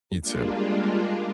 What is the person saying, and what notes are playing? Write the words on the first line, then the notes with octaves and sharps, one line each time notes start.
You too.
G3 G#3 A#3 D4 F4